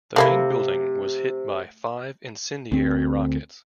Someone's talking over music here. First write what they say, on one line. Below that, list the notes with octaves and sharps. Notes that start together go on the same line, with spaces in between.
The main building was hit by five incendiary rockets.
C3 A3 A#3 E4
D2 C4